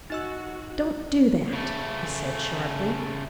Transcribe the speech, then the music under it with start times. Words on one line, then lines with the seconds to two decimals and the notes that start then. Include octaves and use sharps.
"Don't do that!" he said sharply.
0.10 D#4 F#4 D#5 E6
1.53 C#3 A3